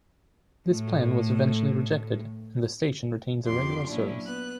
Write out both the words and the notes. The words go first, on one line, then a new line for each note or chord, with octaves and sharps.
This plan was eventually rejected, and the station retains a regular service.
A2 A3
F2 D#3 G4 C6 D6
A#2 F#3 C#4 D4 E4
B3 B4 F#6